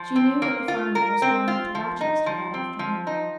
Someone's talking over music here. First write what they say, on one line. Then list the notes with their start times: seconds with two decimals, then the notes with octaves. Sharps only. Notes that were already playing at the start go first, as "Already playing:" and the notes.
She knew that the farmer was going into Rochester that afternoon.
Already playing: F3
0.16 C4
0.42 A#3
0.68 F4
0.95 A#4
1.22 C4
1.48 F4
1.75 F3
2.01 D#4
2.26 F3
2.54 C4
2.79 F3
3.07 D#4